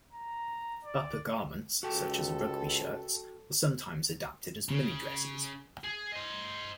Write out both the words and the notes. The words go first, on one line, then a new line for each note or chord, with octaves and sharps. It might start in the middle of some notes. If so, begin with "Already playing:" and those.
Upper garments, such as rugby shirts, were sometimes adapted as mini-dresses.
A#5
D5
C#2 F#4 A4 G5
C#3
G#4
C5 D#5